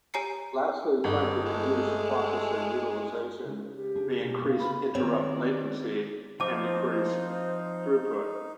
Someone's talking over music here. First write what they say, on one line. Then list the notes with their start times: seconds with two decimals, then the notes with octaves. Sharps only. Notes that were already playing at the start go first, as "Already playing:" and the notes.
Lastly, trying to reduce processor utilization may increase interrupt latency and decrease throughput.
0.14 G4 C#5 G#5 A#5 C7 C#7
1.04 G1 D#3
1.46 G#3 A3
3.45 C#3
3.74 G4
3.96 D4 G#4
4.23 B2
4.41 C#3 A#3
4.60 F4 B4 B5
4.95 D#3 B3 C4 C#5 D5
6.40 F3 C4 D#4 C5 A5 D6